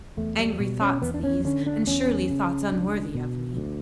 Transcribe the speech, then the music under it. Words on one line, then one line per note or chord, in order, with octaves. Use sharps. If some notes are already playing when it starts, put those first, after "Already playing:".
Angry thoughts these--and surely thoughts unworthy of me?
E2 A3
G3
B2 G3
C#4
E2 B3
D4
C#4
D3 C#4
D4
E2 C#4
C#3
C#2 D4
B2
D2